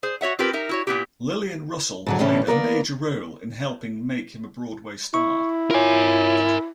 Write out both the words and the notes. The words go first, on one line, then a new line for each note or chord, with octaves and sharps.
Lillian Russell played a major role in helping make him a Broadway star.
G#4 C5
F#4 C#5 E5 F#5
C4 F4 G4 A#4 B4
D#4 A#4 E5
E4 F#4 C#5
A#2 A#3 B3 E4 G4
G#2 D3 F#3
D2 A2 D3 E3 C#4
A#3 B3 A#4 D5
E4 C#6
F4 A#4 C#5 G#5